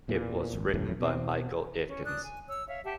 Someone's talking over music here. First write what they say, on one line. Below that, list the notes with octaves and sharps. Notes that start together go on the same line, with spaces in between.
It was written by Michael Aitkens.
E2 A#2 E3
G#1
D#1 A#1 F#2 A2
B2 C4
C#4
D4 D5 D#6 F#6
G#5
C#5 E6
C#5 E5 F5
G4 E5 F#5 A5